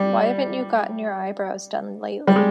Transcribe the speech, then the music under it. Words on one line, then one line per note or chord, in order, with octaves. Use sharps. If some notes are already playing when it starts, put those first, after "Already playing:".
Why haven’t you gotten your eyebrows done lately?
Already playing: G3
G3
G#3